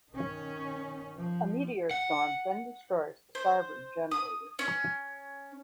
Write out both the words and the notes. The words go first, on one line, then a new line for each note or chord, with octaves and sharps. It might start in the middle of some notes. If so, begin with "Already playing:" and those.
A meteor storm then destroys the starboard generator.
D#3 C#4
F3
F#5
C5
D#6
C#4